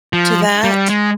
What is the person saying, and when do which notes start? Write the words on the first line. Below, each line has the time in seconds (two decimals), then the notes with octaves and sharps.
to that.
0.13 F3
0.64 G3
0.89 G#3